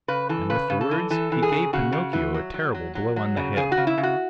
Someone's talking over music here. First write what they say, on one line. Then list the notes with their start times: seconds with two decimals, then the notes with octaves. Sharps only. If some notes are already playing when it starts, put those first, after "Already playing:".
And with the words, he gave Pinocchio a terrible blow on the head.
0.08 C#3 B4
0.29 E3 A4
0.50 C#3 B4
0.70 C#3
0.81 A4
0.91 E3
1.10 E3 A4
1.32 E3
1.42 G#4
1.52 C#3
1.73 C#3 F#4
1.92 C#3
2.13 E3
2.34 F#3
2.54 F#3
2.74 F#3
2.95 F#3
3.16 F#3
3.37 C#3
3.56 C#3 G#4
3.72 F#4
3.77 C#3
3.87 E4
3.98 C#3
4.03 F#4